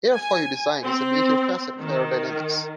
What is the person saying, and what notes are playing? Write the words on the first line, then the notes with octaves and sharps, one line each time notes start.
Airfoil design is a major facet of aerodynamics.
G#5
C4
D#3